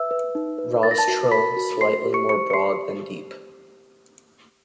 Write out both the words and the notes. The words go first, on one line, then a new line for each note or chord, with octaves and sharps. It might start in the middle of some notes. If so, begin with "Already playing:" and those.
Rostral slightly more broad than deep.
Already playing: B4 E5 E6
B4
D#4
B4
A#4 A6
A#6
A5 A6
F#4
A#4 B5 B6
F#4
C5 C6 C7
G4
C#6 C#7
C5 C#6 C#7
C#7
G4 C6 C7